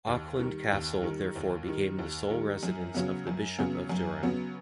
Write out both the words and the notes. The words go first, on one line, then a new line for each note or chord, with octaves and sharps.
Auckland Castle therefore became the sole residence of the Bishop of Durham.
D#2
D#3 G3
D#2
D#3 G3
D#2
D#3 G3
D#2
D#3 G3
F#2
C#3 F#3 B3
F#2
C#3 F#3 B3
F#2
C#3 F#3 B3